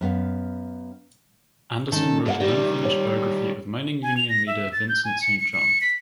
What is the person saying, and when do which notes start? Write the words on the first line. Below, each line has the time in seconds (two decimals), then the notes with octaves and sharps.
Anderson wrote an unfinished biography of mining union leader Vincent Saint John.
0.01 F#2 B3 F5
1.92 D#3 C#4 A4
2.26 A2 A#3 A4 D#5 F#5
2.40 D#3 G3 G4 D5
2.85 C#5
4.03 G#5
4.17 F7
4.29 A#6
4.47 E5
4.73 A6
4.89 G6
5.05 G#5
5.22 C#7
5.39 C#7
5.53 C#7
5.81 B6